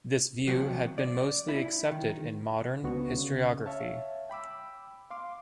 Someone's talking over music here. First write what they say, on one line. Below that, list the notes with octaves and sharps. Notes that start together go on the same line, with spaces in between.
This view had been mostly accepted in modern historiography.
D#2 C3 F3 F#3
D5
E4
D#3
C#2 D3 B3 F#4 C#6
C#3
C#5 E5 F5 A5
G5 B5 D6 E6
F5 C6 D6